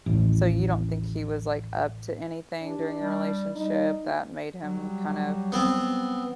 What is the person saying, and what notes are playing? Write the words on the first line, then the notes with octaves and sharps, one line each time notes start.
so, you don't think he was, like, up to anything during your relationship that made him kind of,
A1 D#2 A2
D4 G4
G3
G3 D#4
F#3 G3
B3 C4